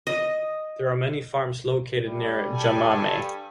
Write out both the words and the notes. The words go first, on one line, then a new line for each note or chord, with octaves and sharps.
There are many farms located near Jamame.
D#5
G3 A3
G4 A4 G#5
G2